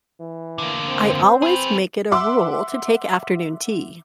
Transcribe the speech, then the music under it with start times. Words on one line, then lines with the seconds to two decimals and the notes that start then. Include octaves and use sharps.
I always make it a rule to take afternoon tea.
0.20 E3
0.58 D3 A#3
0.89 C4
1.42 G#4 B4
2.11 E5 F#5 C6 D6 E6